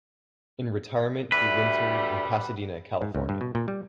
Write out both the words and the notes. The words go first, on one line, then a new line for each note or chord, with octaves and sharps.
In retirement he wintered in Pasadena, California.
D2 G3 B4 E5
G#2
C#2
G2
B2
A#2
G3